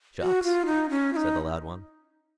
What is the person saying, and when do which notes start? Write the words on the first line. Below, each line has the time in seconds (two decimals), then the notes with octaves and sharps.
"Shucks!" said the loud one.
0.21 F#4
0.43 F4
0.66 D#4
0.90 C#4
1.13 F4
1.16 D#4